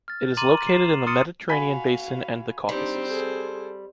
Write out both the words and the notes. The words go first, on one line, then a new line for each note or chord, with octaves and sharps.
It is located in the Mediterranean Basin and the Caucasus.
F6 A6
A#5 C6 D6 A6 D#7 F#7
C7 E7
C6 D#6 F6 A6 C#7 D#7
F#4 F5 G#5 B5 B6
G3 C4 D4 D#4 C5
G#4 A4